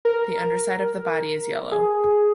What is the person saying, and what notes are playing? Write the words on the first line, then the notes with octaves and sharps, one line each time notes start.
The underside of the body is yellow.
A#4
G#4